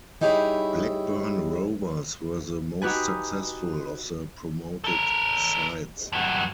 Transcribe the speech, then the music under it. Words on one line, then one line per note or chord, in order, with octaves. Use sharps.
Blackburn Rovers were the most successful of the promoted sides.
G3 D#4 E4 G4 G#4 C#5
D#4 F#4 G4 B4 G#5
A4 A#4
G2 F#3